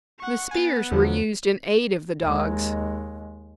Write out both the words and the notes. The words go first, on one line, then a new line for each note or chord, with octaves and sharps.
The spears were used in aid of the dogs.
F#5 C#6
B3 F#5 G#5 A6
E2 D3 F3 F#3
D#2 G#3